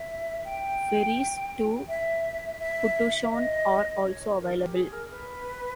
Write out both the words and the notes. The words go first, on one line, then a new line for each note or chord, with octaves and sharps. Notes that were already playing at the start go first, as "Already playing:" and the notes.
Ferries to Putuoshan are also available.
Already playing: E5
G5
E5
E5
D#5
C#5
A#4
G4
G#4
A#4
B4